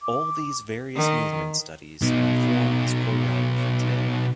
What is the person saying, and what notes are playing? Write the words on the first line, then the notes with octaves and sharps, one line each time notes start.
All these various movement studies inform his choreography today.
D6
D#3
B2 D#4